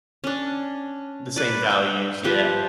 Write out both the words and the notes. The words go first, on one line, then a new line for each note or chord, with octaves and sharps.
The same values. Yeah.
C#4 D4
B4 D5
G5
F3 G4 B4 C5